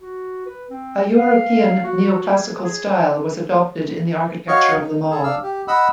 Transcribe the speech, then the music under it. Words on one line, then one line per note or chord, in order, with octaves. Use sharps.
A European neoclassical style was adopted in the architecture of the mall.
F#4
B4
C4
F5
F#4
G#4
G#4
F#4 C#5 D#5 F5 C#6
D#4
G#4 A4
D4 F5 E6
G4
D#5 F#5 B5 E6